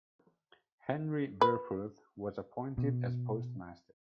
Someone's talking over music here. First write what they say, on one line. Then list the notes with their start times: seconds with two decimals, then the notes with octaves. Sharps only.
Henry Verfurth was appointed as postmaster.
1.41 B4
2.78 B2